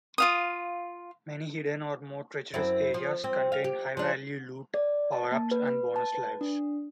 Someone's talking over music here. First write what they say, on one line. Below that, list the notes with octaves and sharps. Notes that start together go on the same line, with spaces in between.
Many hidden or more treacherous areas contain high-value loot, power-ups and bonus lives.
F4 F5 D#6
F#2 C4 E4
F3
C4
F5
G4
F3 D4
D5
A5
A#3
B4
B4
A5
B4
D4